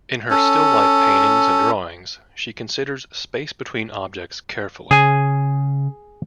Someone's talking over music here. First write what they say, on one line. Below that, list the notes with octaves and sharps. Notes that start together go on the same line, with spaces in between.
In her still life paintings and drawings, she considers space between objects carefully.
C#4 A4
C#3 G#4 G#5